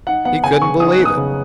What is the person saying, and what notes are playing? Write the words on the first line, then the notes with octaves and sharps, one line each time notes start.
He couldn't believe it.
D#4 F#5
B3 F#5
C#3 G#5
C#3 C#6
D#4 D#6
F#6
B3
D#6
C#3